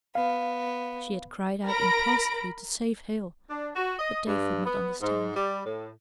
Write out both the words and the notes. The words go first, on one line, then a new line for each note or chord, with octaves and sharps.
She had cried out impulsively to save Hale, but Dave would not understand.
B3 F5
A#4 B5 A#6 D7
D4
F#4
D#5
G2
B3
G#2
G3
A2